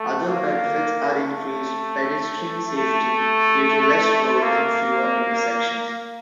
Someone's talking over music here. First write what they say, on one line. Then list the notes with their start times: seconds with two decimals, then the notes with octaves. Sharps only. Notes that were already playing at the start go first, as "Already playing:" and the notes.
Other benefits are increased pedestrian safety due to less road and fewer intersections.
Already playing: A3
0.26 A#3
1.10 A3
2.76 A3
4.42 A#3